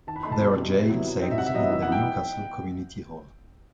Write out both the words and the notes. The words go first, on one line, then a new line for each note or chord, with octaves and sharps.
There are jail cells in the Newcastle Community Hall.
D#3 A5
B5
A3 D#4 C6
A5
B2
G3
D#4
C3
F#3 B3 E4
F#3
C4 D#4
E5
C3 F#5
E5
F#3 B3 D#5 E5
E3 E5
F#5
B3 D#4 G5